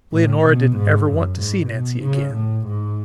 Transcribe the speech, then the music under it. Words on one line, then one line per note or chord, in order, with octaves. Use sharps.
Leonora didn't ever want to see Nancy again.
A2
B2
G#2
F#2
G#2
B2
C#3
A2
G#2